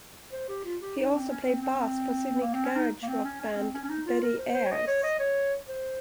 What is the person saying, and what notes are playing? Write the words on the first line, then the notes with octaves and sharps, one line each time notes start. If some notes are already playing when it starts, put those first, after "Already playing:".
He also played bass for Sydney garage rock band Betty Airs.
C5
G4
F4
G4
D#4
C4
C#4
C4
C4
C4
A#3
C4
C#4
D#4
A#3
C4
C#4
C#4
C4
C#4
C#4
D#4
F4
A#4
C5
C5
C#5
D#5
C#5
D#5
C#5
C5